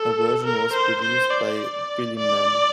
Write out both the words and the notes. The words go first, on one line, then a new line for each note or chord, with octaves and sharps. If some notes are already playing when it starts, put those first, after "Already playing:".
Her version was produced by Billy Mann.
Already playing: A4
A#4
C5
C5
D5
D5